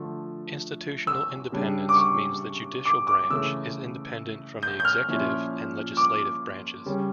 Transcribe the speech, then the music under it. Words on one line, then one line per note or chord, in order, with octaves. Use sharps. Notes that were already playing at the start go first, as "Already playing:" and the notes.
Institutional independence means the judicial branch is independent from the executive and legislative branches.
Already playing: D3 F3 A3
E6
C#3 G3 D4
D6
C#6
D6
D6
C#3 E3 A3 E6
G6
G6
F6
A#2 F3 C#4 E4
D6
C#3 G3 C#4